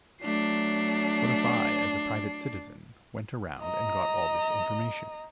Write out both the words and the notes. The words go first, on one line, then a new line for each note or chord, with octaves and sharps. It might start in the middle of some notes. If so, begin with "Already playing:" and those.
What if I as a private citizen went around and got all this information?
F#3 A3 D4 C7
D#5 A#5